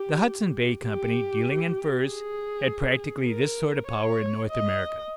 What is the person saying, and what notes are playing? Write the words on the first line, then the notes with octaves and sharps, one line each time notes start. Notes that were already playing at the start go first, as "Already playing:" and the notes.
The Hudson Bay Company, dealing in furs, had practically this sort of power in North America.
Already playing: G4
G4
G#4
A#4
C#5
D#5